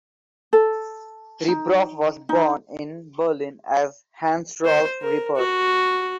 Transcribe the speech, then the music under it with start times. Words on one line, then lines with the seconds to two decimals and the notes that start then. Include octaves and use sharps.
Rebroff was born in Berlin as Hans-Rolf Rippert.
0.53 A4
1.48 D#4
2.29 D#4
4.65 C5
5.02 A#4
5.36 F#4